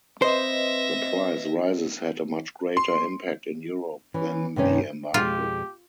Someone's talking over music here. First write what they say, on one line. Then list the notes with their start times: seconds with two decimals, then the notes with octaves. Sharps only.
The price rises had a much greater impact in Europe than the embargo.
0.22 C4 B4 C5 D#5 E5 A#6
2.77 C6
4.14 E3 C#4
4.56 G2 C3 D#3 C#4
5.14 F2 B2 G#3 F4 G4